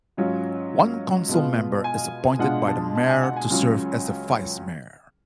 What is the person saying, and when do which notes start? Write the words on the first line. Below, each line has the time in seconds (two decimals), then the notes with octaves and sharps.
One council member is appointed by the Mayor to serve as the Vice-Mayor.
0.17 G#2 F#3 C#4 F4
1.29 B2 G#3 B3 F4
1.84 G#5
2.39 B2 G#3 D4 F4 F#5
2.68 A5
2.95 A5
3.09 G#5
3.23 F#5
3.36 G#5
3.50 C#2 C#3 F#3 C#4 F4